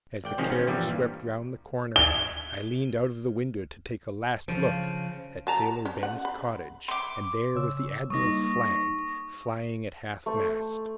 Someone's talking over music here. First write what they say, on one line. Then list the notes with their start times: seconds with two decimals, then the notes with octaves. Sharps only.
As the carriage swept round the corner, I leaned out of the window to take a last look at Sailor Ben's cottage, and there was the Admiral's flag flying at half-mast.
0.24 G#1 D5 G5
0.38 C3 D#3 F3 G#3 C4 C#4
0.50 B3 C#4
0.67 G2 A#2 E3 F3 G3
1.96 G7
4.48 C#3 F3
5.47 F#3 A5 A#5
5.85 C#4
6.03 F#5
6.25 B5
6.88 C6 D6
7.55 C#3 C#5 E6
8.10 G3 A#3 D#4 C#6 D#6 A#6
10.26 A3 C5